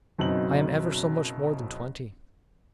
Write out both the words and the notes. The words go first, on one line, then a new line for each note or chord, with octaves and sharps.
I am ever so much more than twenty.
F#1 F#2 B2 C4 D#4 F#7